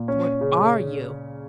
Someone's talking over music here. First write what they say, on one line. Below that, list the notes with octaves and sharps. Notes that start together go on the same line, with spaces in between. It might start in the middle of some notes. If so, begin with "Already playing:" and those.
What ARE you?
Already playing: A#2
C#4
C#3